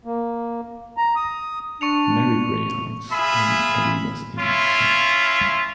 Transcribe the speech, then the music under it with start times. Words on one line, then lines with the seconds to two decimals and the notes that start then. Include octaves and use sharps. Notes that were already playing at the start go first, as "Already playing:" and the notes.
Marie Greyhounds when Eddie was in college.
0.05 A#3
0.97 A#5
1.16 D#6
1.81 D4 C#6 C#7 F7
3.12 F4 G#4 E5 B5
4.39 C#4 E4 F4